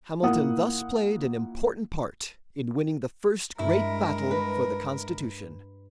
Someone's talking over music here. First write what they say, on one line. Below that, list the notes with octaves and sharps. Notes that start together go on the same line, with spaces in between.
Hamilton thus played an important part in winning the first great battle for the Constitution.
A#2 A#3 E4 F#5 D#6
G2 G#3 E4 A#4
B4